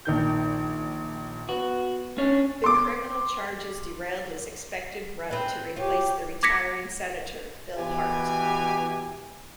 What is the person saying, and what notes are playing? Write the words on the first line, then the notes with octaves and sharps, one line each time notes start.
The criminal charges derailed his expected run to replace the retiring senator, Phil Hart.
A#1 D#3 G6
B3 F#4
C#4 D4 C#5
C6 D6
C4 B4
F4 G4 C#5
D6 G#6 A#6 B6 C#7
B2 E3 G4 G#5